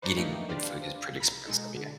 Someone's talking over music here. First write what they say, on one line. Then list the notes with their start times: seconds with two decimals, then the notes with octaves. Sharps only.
Eating good food is pretty expensive, yeah.
0.02 B4 C5 D5 A5 A#5 C#6
0.17 A3 A#3 D4 D#4 G4 B4
0.49 D4 G4 B4 C5 D5 F5
1.20 B1 A#5 B5
1.46 B2 G#3 D#4 A4
1.76 D3